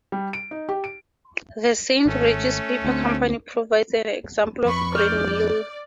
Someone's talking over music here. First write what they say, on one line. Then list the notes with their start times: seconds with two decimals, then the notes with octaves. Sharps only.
The Saint Regis Paper Company provides an example of greenmail.
0.12 G3
0.33 D7
0.51 D#4
0.69 G4
0.84 D7
2.06 G#1 A3 C#4
2.85 D2 C4
4.65 F2 B4 B5 C#6
4.95 D5 F6 G6